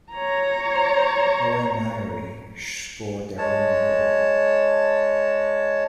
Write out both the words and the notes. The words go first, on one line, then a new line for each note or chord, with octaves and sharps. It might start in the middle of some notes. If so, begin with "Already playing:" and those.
Roy Myrie scored their only goal.
C#5 A#5
G#3 C#5 A5